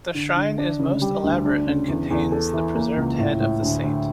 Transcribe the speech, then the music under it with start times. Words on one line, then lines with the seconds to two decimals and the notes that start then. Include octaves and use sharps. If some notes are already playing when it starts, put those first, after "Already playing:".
The shrine is most elaborate and contains the preserved head of the saint.
0.14 D3
0.36 D3
0.58 D4
0.79 C#3
1.01 G3
1.24 D2
1.45 D4
1.66 C#3
1.88 E2
2.10 E2
2.32 A4
2.53 E3
2.75 A#3
2.97 C#2
3.18 A2
3.40 A2
3.62 D2
3.83 D2